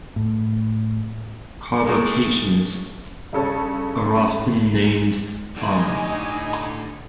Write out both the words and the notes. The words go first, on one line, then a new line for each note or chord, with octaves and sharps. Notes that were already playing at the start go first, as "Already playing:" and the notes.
Carbocations are often named "-um".
A2
A2 G#3 A#3
G2 C#3 A4 C#5
A2 D3 D#4 G4 D#5 G#5